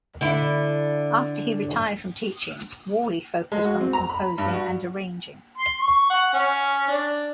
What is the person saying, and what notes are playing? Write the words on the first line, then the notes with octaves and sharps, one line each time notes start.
After he retired from teaching, Worley focused on composing and arranging.
D3 E4
G#3
F#4
C4
A#5
B5
G2
F#4
C6
C#6
F#5
C#4
D4